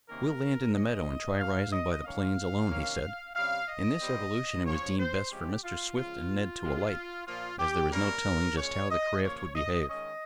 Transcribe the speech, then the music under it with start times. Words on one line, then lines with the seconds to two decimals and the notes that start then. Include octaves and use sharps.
"We'll land in the meadow and try rising by the planes alone," he said. In this evolution it was deemed best for Mr. Swift and Ned to alight, as there was no telling just how the craft would behave.
0.10 C3 D#3 A#3 C#4 A#4
0.75 C#3 G#3 C#4 D#5
1.40 F3 A#3 C#4 F5
1.72 D#5
2.05 D#3 A#3 C#4 F5
2.70 C3 D#3 A#3 C#4
3.35 C3 G3 C#4 F5
3.69 D#5
4.01 A#2 G3 C4
4.66 C#3 F3 C4 C#5
4.99 C5
5.31 C3 F3 G#3 C#4 G4
5.64 F4
5.97 C#3 F3 G#3 F4
6.62 C3 F3 G#3
7.27 A#2 F3 A#3 F4
7.59 G4
7.92 C3 G3 A#3 C#4 A#4
8.58 A#2 G#3 C#4 C#5
8.91 D#5
9.23 C#3 F3 A#3 C#5
9.55 D#5
9.88 D#3 G#3 C#4 D#5